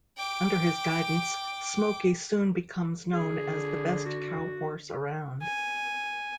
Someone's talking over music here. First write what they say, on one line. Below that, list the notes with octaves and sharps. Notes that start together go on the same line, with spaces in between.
Under his guidance, Smoky soon becomes known as the best cowhorse around.
G5 D6
D3 G#4
F#4
G#5